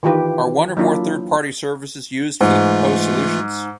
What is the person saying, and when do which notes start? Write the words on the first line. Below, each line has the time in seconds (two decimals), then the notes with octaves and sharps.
Are one or more third party services used for the proposed solutions?
0.03 D#3 E3 F4 G4 B4
0.77 F#3 A#3 D4 E4 F4
2.41 G#2 E3 A3 F4